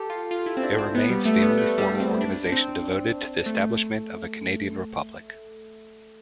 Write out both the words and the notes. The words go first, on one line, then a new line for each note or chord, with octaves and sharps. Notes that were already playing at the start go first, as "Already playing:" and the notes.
It remains the only formal organization devoted to the establishment of a Canadian republic.
Already playing: G4 A4
F4
F4
E4
C4
D4
C4
B3
G3
A3
B3
A3
G3
C4
D4
C4
A3